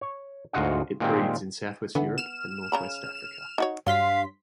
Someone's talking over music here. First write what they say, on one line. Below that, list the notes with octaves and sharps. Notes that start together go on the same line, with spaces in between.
It breeds in southwest Europe and northwest Africa.
C#5
D2 G#2 F4 F#4 D#5 F#5
A#2 D#3 G#3 A#3 C4 G4
D3 E3 B3
F6 E7
C#3 A#5 B5
D#4 F#4 C#5
G2 F#3 F5 C6 B6